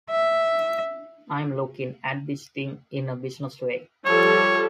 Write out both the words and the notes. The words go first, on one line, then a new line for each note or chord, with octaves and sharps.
I'm looking at this thing in a business way.
E5
F3 G3 A4 C#5